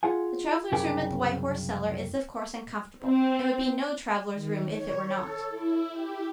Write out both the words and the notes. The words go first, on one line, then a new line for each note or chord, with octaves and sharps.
The travellers' room at the White Horse Cellar is of course uncomfortable; it would be no travellers' room if it were not.
F4 G#4 F#5 G#5
C2 F#2 C#3 G4 A#4 G#5
C4
D#3
C#5
A4
E4
G4